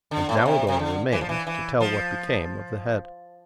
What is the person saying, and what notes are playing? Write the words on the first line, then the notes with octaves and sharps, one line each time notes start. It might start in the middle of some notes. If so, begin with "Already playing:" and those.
And now it only remains to tell what became of the head.
D3
A2
B2
C3
C3
D3
E3
F3
E3
E3
F3